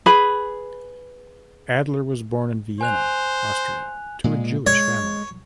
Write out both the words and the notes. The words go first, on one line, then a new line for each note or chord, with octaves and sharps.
Adler was born in Vienna, Austria, to a Jewish family.
G#4 B4 B5
C5 G#5 F#6 F7
A#2 G#3
G#3 C#5